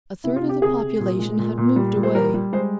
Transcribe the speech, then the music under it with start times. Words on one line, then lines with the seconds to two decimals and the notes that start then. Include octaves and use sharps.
A third of the population had moved away.
0.24 C3 E4
0.36 F4
0.43 C3
0.49 G4
0.62 C3 G#4
0.81 C3
1.00 A#2
1.19 G#3
1.39 A#2
1.58 A#2
1.76 G3
1.96 A#2
2.03 C5
2.15 G3 A#4
2.34 G3
2.53 G#3 C5